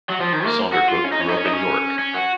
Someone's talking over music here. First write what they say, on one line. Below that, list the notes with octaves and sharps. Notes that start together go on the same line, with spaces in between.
Saundercook grew up in York.
F#3
F3
D#3
A#3
F#4
F4
C#4
D#4
C#4
D#4
C#4
D#4
C#4
C#4
F#4